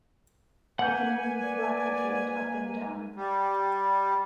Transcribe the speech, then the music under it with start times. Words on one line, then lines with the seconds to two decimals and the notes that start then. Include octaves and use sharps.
It can only 'flap' the field up and down.
0.79 A#3 B4 F#5 G#5 G6
1.43 D5
3.16 G3